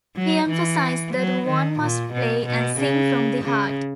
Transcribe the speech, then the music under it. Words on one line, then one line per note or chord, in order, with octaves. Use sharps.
He emphasized that one must play and sing from the heart.
F#3
E3
F#3
D#3
A#2
B2
B2
C#3
C#3